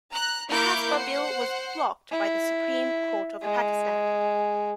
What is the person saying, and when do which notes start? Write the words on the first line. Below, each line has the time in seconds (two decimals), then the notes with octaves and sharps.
The Hasba bill was blocked by the Supreme Court of Pakistan.
0.11 A#5 F#6
0.49 A#3 E4 A#4 C#6 D6 G6
0.92 C5 F#5
2.12 E4
3.42 G#3